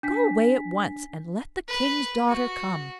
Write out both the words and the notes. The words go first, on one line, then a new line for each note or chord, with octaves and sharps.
Go away at once, and let the King's daughter come.
D4 G#5 B6
B4
F#4